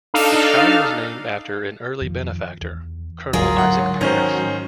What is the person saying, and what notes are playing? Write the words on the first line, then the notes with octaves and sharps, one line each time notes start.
The town was named after an early benefactor, Colonel Isaac Paris.
D4 D#4 A4 F5
F2 D#3 F3
E2
G1 D2 G#2 F#3 F4 G#4 A#4
G#2 D3 F#5
G#2 D#3 C#4 C5 D#5 A#5